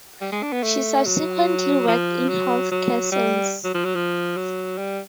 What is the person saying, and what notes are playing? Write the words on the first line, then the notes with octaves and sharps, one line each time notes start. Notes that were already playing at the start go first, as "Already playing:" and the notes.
She subsequently worked in health care sales.
G3
G#3
D4
B3
A3
F#3
F3
F#3
F#3
G3
F#3
F3
F#3
F3
F#3
G3